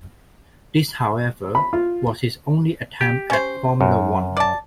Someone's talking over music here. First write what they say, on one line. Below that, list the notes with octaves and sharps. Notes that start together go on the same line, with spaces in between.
This however, was his only attempt at Formula One.
B5
F4
G4
C#4 C5
F#2
D5 A5